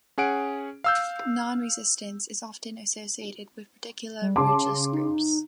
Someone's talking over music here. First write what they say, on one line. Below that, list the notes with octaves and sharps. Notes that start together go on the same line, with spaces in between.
Nonresistance is often associated with particular religious groups.
C#4 G#4 F#5 D7
F5 E6 G6
G3
C#3 A5 C6 D6
D#4